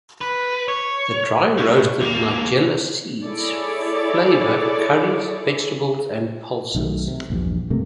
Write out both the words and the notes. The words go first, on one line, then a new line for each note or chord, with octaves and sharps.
The dry-roasted nigella seeds flavor curries, vegetables and pulses.
B4
C#5
A2
E2 A#3
E4 G#4 A4 C#5 D5
B1 D#3 A3
C3
A#1 E2 G2
G2 C3 A3 A#3